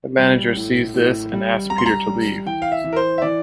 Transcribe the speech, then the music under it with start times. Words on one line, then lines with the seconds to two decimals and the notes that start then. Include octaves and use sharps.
The Manager sees this and asks Peter to leave.
0.18 G3
0.56 A2
0.94 A2
1.33 G3
1.70 G3 A#5
1.78 C6
1.86 A#5
2.08 G3
2.46 E3 G5
2.62 F5
2.72 E5
2.84 E3
2.93 A#4
2.96 C5
3.18 E5
3.22 E3 D5